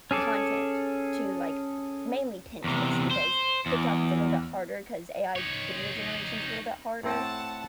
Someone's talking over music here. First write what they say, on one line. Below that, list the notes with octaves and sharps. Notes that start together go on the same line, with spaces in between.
content to, like, m mainly Pinterest, because TikTok is a little bit harder, 'cause AI video generation is a little bit harder,
C#4 G#4 A4 D6
E2 C3
C5
E2
D#4 C#5
A2 A3 C4 F#5 A5